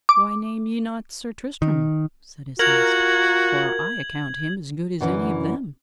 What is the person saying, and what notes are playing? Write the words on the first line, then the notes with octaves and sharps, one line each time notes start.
Why name ye not Sir Tristram? said his host, for I account him as good as any of them.
D6
D#3
F4 F#4 A#4 G#6 F#7
F#2 D3 E3 C#4